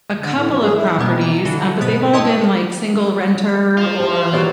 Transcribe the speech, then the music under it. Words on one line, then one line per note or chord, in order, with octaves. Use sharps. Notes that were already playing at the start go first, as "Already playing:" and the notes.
a couple of properties, um, but they've all been, like, single-renter or,
D3
A2
F3
G#4
E4
B2 G3 A#3 B3
A#5
D3 E3 F#4 A4
G#2 B2 B3 D#6 A6 B6
E4 C#5 D#5 A5 C6 D#6
F4 C5
E4 G4
G#2 F#3 B3 G4 D5 E5